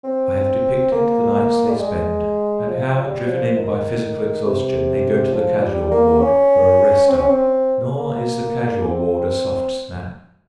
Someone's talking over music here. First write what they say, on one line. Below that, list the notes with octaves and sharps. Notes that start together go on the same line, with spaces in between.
I have depicted the nights they spend, and how, driven in by physical exhaustion, they go to the casual ward for a "rest up." Nor is the casual ward a soft snap.
C4
A#3
G3
G#3
F3
G3
F3
D#3
C3
F3
G3
A#3
C#4
C4
C#4
C4
A#3
C4